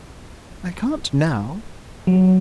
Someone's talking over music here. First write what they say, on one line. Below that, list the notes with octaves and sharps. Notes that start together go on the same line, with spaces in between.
"I can't now."
F#3